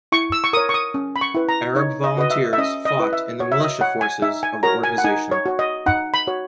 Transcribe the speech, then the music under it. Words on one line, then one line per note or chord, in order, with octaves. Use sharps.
Arab volunteers fought in the militia forces of the organisation.
E4 C#6
E6
C#6
A#4 C#5 D#6
C#6
D#6
C#4
B5
C#6
E4 B4
A#5
D#4 C#5
D#5
F#4 B4 D#5
E5
E5
C#4 D#5
D#5
E4 B4
E5
F#4 C#5
E5
D#5
C#5 F#5
G#5
D#4 E5
G#5
F#4 A#4 C#5 A#5
G#5
F#5
D#4 G#5
C#5
F#4 C#5
D#5
D#4 F#5
B5
F#4 C#5